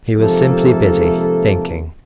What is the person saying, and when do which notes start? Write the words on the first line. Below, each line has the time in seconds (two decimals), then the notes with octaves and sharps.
He was simply busy--thinking.
0.18 G#2 C3 F3 A3 A#3 A4